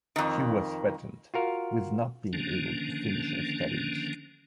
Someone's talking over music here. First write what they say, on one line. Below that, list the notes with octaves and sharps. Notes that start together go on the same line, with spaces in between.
She was threatened with not being able to finish her studies.
F2 D#3
F4 F#4 A#4 F5
D3 D#3 F3 A#3 C#4 D4